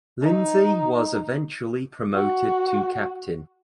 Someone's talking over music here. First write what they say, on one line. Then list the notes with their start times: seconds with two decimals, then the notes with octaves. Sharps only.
Lindsay was eventually promoted to captain.
0.22 D#4
2.15 F#4